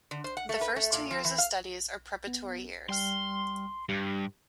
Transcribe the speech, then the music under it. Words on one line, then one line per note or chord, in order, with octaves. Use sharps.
The first two years of studies are preparatory years.
D3
C5
F#5
A3
B4
A3
A#2
F3
E3
F5
B3
G3 G5 C6 F6
G2 G4